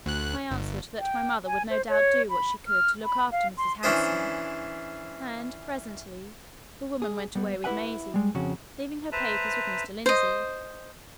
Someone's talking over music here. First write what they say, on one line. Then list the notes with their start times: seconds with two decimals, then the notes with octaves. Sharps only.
I answered that my mother would no doubt do what she could to look after Mrs. Hanson; and presently the woman went away with Maisie, leaving her papers with Mr. Lindsey.
0.06 D2 F#6
0.51 G1
0.99 G5
1.46 G#5
1.70 C5
1.89 C#5
2.29 B5
2.68 F6
3.04 B5
3.32 F5
3.57 C6
3.83 E3 C#4 D4 E4 C5 D#6
7.02 G#4
7.35 G3 B3
7.64 E4 G4 B4 E5 F#5 G#5
8.14 G3 G#3
8.35 F2 C#3 C#4 F#4
9.12 B4 C5 E5 A5 A#5
10.06 C5 D#5